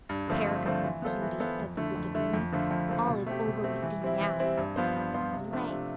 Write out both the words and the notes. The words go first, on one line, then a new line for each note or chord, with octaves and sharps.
"Paragon of beauty!" said the wicked woman, "all is over with thee now," and went away.
G2
D3 F3 A3 C4
G2
D3 F3 A3 C4
E3
B3 F4 A4 C5
E3
B3 F4 A4 C5
F2
D3 A3 E4
F2
D3 A3 E4
F2
D3 F3 A3
F2
D3 F3 A3
B2
A3 C4 G4
B2
A3 C4 G4
E3
G3 C4 E4
E3
G3 C4 E4
G2
F3 B3 F4 C5
G2
F3 B3 F4 C5
C3
F3 A3 D4 F4
C3